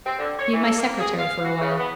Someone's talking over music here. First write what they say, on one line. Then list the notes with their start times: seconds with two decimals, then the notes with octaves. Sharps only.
Be my secretary for a while.'
0.06 C4
0.19 D3
0.39 C#5
0.53 E3
0.66 A4
0.78 A#3
1.01 G#4
1.19 F5
1.45 F#4
1.61 C#3
1.78 B3